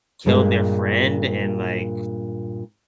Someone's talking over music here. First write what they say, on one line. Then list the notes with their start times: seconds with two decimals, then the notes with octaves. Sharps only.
killed their friend and, like,
0.26 G2 A#2 G#3 A#3